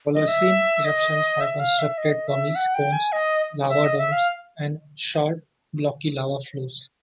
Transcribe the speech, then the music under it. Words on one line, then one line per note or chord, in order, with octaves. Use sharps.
Holocene eruptions have constructed pumice cones, lava domes, and short, blocky lava flows.
D#5
E5
D#5
E5
F5
E5
D#5
E5
F#5
G5
G#5
D#5
E5
D#5
E5
F5